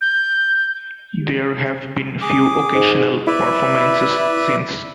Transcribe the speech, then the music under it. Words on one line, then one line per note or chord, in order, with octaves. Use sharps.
There have been few occasional performances since.
G6
G#4 D6
G#2
E4 B4 D5 E5